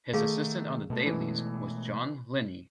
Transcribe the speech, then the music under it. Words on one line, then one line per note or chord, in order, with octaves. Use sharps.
His assistant on the dailies was John Liney.
D#3 A3 G#4 F5
B2 G#3 A3
E3